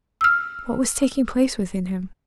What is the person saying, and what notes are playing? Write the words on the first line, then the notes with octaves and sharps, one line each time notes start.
What was taking place within him?
E6 F6